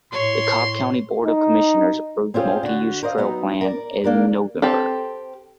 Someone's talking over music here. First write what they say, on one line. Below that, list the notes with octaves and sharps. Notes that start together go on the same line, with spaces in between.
The Cobb County Board of Commissioners approved the multi-use trail plan in November.
A2 C#5 C6
D#4
C4 C#4 F4 G4 G#4
D3 F#4
A#4 C5 D5 D#5 F5
F#3 B3 D#4
A#4 D5
A#3 D4 A#4
C4 G4 A4